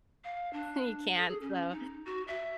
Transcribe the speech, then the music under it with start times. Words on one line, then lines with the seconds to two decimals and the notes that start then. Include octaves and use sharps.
and you can't, so,
0.24 F5
0.53 D4
1.16 A4
1.28 G#4
1.41 C#4
1.71 D#4
2.06 F#4
2.28 E5